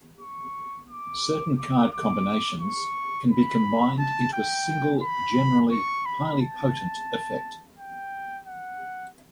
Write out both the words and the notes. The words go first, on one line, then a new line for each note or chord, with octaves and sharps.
Certain card combinations can be combined into a single, generally highly potent effect.
C#6
D6
D6
D6
C#6
B5
A5
G5
B5
C#6
B5
A5
G5
F#5